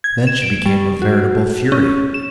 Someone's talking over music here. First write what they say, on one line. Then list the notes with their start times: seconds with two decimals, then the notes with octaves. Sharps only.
Then she became a veritable fury.
0.04 G#6
0.27 E7
0.42 D7
0.65 G3
1.02 F#4
1.72 C#4
2.14 E7